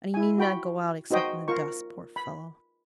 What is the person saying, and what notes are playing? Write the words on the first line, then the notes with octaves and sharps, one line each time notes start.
'And he need not go out, except in the dusk, poor fellow!'
E4 G#5
F#4 G5 B5
D#4 F#4 C5 D#5 G5 D#6
F4 A#4 C#6
B5